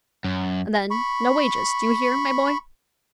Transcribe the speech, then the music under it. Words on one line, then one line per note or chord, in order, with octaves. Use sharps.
And then, no wages, do you hear, my boy?
F#2
B5 C#6